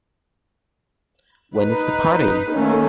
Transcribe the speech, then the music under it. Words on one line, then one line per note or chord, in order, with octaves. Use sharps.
When is the party?
D#4 B4
D#3 A3 A#3 C#4